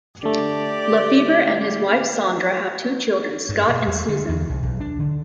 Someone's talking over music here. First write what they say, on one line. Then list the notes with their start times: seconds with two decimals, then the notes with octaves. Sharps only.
LaFeber and his wife, Sandra, have two children, Scott and Suzanne.
0.23 D3 A3 G4 D5
3.49 G2
3.69 B2
3.87 E2
4.09 D3
4.29 E2
4.50 C2
4.63 B1
4.80 D4
4.99 D3